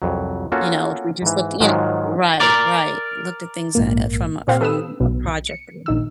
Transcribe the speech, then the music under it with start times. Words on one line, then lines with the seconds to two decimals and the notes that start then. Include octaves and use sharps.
You know, if we just looked y Right, right, looked at things, uh, uh, from from a project view.
0.02 C2 F2 F#3
0.52 A#3 B3 C#4 F4 F#4 A4
1.22 G#2 E3
1.60 G#2 D#3 F3 F#3 G#3 F4
2.40 A#4 D5
3.75 A#1 G#2 A#3
4.48 A#2 C4 G4 F5
4.61 A4 B4 D#6 E6
5.00 B1 B2
5.47 C#7
5.86 A#1 D#3 E6